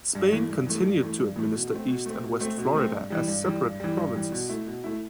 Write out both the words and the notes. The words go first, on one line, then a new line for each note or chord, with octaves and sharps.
Spain continued to administer East and West Florida as separate provinces.
G2
E3 A3
G2
E3 A3
G2
E3 A3
G2
E3 A3
B2
A3 C4
B2
A3 C4
B2
A3 C4
B2
A3 C4
G2
E3 G3
G2
E3 G3
G2
E3 G3
G2
E3 G3
B2
A3 E4
B2
A3 E4